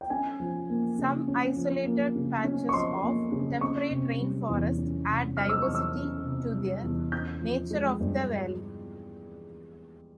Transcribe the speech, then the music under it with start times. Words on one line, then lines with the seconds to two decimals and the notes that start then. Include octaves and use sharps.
Some isolated patches of temperate rainforest add diversity to the nature of the valley.
0.01 G5
0.10 C#4 G#5
0.40 F3
0.70 A#3
0.99 C#3
1.28 C#4
1.57 F3
1.86 A#3
2.16 C#3
2.44 C#4
2.69 C#6
2.74 F3 C6
3.03 A#3
3.32 C#3
3.61 C#4 C#6
3.91 C3
4.20 G3
4.49 E2
4.78 C#4
5.08 C3
5.37 G3 F6
5.49 E6
5.62 E2 C#6
5.75 E6
5.95 C#4
6.25 C3
6.53 G3
6.83 E2
7.12 C#4 G6
7.41 F3
7.71 G#3
8.00 G2